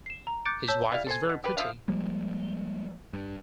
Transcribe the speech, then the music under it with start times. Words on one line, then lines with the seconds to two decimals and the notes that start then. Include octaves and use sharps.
His wife is very pretty.
0.06 C7 E7
0.27 A#5
0.45 D6 F#6 G6 A6 C#7 D7
0.68 C#5 A5 E6 G6 B6
0.92 G3 E4 F5
1.07 A4 C5 G#5
1.29 B2
1.44 G4 B4
1.57 F3 E4 E5 F5
1.88 F3 G3 G#3 A#3
3.13 G2